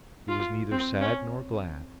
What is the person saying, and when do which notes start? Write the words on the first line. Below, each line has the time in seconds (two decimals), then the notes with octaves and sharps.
It was neither sad nor glad.
0.29 F4
0.71 C4
1.01 C#4